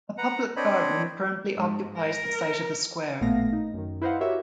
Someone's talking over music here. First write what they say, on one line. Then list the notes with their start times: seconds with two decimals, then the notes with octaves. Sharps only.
A public garden currently occupies the site of the square.
0.18 B4 F#5 A#5
0.56 C4 D4 C5 C#5 D#5 B5
1.55 G#2
1.99 A#4
3.20 A1 A#2 A3 B3 F5 A#6
3.53 D#4
3.74 F#2 D#3
4.01 E4 B4 C5 D#5 F5 F#5
4.20 E4 F#4 G4 A#4 C#5 E5